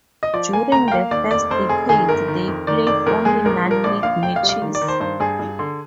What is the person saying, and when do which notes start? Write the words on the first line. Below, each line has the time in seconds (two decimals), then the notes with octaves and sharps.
During the first decades, they played only non-league matches.
0.23 D#5
0.33 F3 D5
0.53 A#3 G#5
0.72 D2 A#5
0.88 G5
0.92 A#3 F5
1.11 D#2 D5
1.31 F1 D5
1.51 F1 C5
1.69 F1 G#4
1.89 D#3 G#4
2.09 G1 A#4
2.28 D#3
2.48 F2
2.67 D#3 D5
2.87 F1 D5
3.06 F2 A#4
3.25 G#3 G#4
3.45 A#1 A#4
3.64 F3
3.71 A#4
3.84 A#1 D5
4.03 A#1 F5
4.23 F1 G5
4.36 F5
4.43 G3
4.49 F5
4.62 D#3
4.75 D5
4.81 D#3
4.88 C5
5.00 G2 C5
5.20 G2 G#4
5.39 G2
5.59 D3